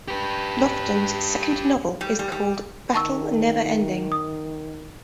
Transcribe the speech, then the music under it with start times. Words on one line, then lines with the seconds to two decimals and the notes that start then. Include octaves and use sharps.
Lofton's second novel is called "Battle Neverending".
0.08 G4 B4
2.01 G3
2.19 G3
2.32 G3
2.94 D#3 A5 C#6 E6
4.12 D#6